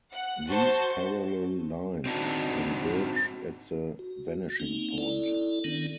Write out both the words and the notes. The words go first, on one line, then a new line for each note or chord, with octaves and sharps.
These parallel lines converge at the vanishing point.
F#5
F#4 C5 A5 C#6
C4 D4 D#4 F#4
F#4
A#3 C4 C#4 D#4
E4 A4 D5
D#3 B3 C#4 D4